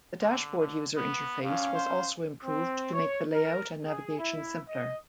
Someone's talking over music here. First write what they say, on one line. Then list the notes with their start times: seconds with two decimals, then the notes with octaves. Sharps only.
The dashboard user interface was also improved to make the layout and navigation simpler.
0.21 D3
0.58 D3
0.97 B3
1.43 G2 C#4 F5
1.75 C5
2.44 C4
2.92 C#5
3.32 A#4
3.84 G#4
4.18 E4
4.68 D#5